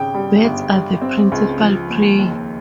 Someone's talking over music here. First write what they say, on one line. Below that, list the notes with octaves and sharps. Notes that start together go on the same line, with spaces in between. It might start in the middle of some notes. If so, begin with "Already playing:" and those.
Birds are the principal prey.
Already playing: G#1 C#3 G5
G3
G1
G3
C4
C#2
F3
D#2
D#2